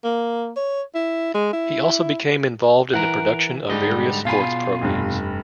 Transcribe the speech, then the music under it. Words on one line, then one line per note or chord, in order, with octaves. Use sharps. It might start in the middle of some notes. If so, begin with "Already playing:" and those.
He also became involved in the production of various sports programmes.
A#3
C#5
E4
G#3
E4
E3 A#4 F#5
G#2 D3 G3 D#5
B2 F4 G#4 F5 B5
F1 G2